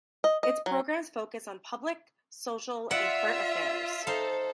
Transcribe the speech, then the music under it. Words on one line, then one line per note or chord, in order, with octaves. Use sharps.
Its programs focus on public, social and current affairs.
D#5
D#5
F#3
F4 D5 E5 F#5
D#4 A4 C5 F5